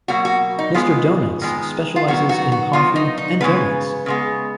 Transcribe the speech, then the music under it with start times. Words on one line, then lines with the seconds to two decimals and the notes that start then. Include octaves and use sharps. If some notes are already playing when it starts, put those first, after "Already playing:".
Mister Donuts specializes in coffee and doughnuts.
0.08 B2 F#3 A#3 F#4
0.25 F#4
0.59 D#4
0.74 D#3 G#3 B3 F4
1.41 D#3 G#3 B3
1.96 F4
2.08 D#3 F#3 B3 F#4
2.29 F#4
2.52 F#4
2.73 D#3 F#3 B3 F4
2.96 D#4
3.18 D#4
3.40 C#3 G#3 B3 B4
4.06 C#3 G#3 B3